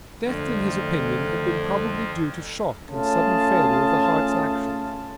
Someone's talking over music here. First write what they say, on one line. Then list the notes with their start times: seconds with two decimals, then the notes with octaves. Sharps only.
Death, in his opinion, had been probably due to shock and sudden failure of the heart's action.
0.24 F2 D3 A3 D4
2.87 A3 C#4 F4 G#4 A5